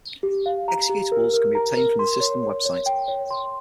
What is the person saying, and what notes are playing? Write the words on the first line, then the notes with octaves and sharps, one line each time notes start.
Executables can be obtained from the system website.
G4
F5
A#5
G4
A#4
A#4
A#5
A#4
C6
C#5
C#5
C#5
G5
C#5
C6